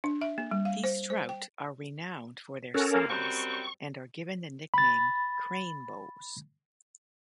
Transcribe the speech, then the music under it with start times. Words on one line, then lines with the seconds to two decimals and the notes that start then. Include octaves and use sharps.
These trout are renowned for their size and are given the nickname "cranebows".
0.04 D4
0.21 E5
0.38 A#3
0.51 G3
0.65 F5
0.84 C5
1.10 C5
1.29 G5
2.74 C#4 F#4 A4 A#4
2.92 A#3
3.09 F#2 G3 C4 C#6
4.74 B5 A6